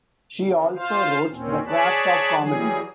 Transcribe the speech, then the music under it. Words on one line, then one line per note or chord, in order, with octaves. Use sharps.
She also wrote "The Craft of Comedy".
C#3
F4 C5 F5
D#2 A#2 C4 C#4
G#4 C#5 D5 A5 B5 F#6
E3 F#3 G3 G#4